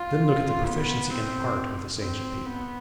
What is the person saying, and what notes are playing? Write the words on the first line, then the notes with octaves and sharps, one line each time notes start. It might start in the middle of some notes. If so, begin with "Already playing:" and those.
Then look at the proficiency in art of this ancient people.
Already playing: F4
B3
C4
C4
B3